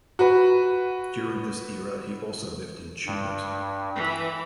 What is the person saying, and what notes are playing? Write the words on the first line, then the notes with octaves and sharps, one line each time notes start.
During this era he also lived in Tumut.
F#4 B4
G2
E3